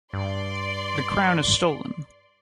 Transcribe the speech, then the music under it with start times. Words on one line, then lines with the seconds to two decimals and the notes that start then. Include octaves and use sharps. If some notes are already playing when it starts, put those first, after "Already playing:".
The crown is stolen!
0.13 G2 D5 C6